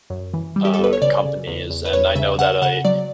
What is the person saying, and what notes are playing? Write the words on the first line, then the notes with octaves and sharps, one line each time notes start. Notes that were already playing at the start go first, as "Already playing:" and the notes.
uh, companies and I know that a,
F#2
E3
G3
G4
A4
G1 B4
C#5
C#3 D5
C#3
E2
E2
B4
E2 C#5
C#3 E5
C#3 F#5
C#3 F#5
F#3 D5